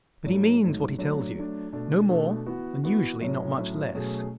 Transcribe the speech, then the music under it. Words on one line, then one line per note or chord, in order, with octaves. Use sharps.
But he means what he tells you, no more, and usually not much less.
G#2 F#3 A3
G#2 F#3 A3
F#3 A3 D4
F#3 A3 D4
B2 A3 D4 A4
B2 A3 D4 A4
E3 B3 F#4
E3 B3 F#4
A2 F#3 C#4
A2 F#3 C#4
B2 F#3 A3 C#4 G#4